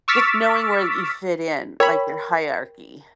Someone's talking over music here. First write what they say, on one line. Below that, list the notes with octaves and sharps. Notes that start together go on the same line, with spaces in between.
Just knowing where you fit in, like, their hierarchy.
C#6 D6 E6 F6 A6 B6
A#4 C#5 G5 A#5 B5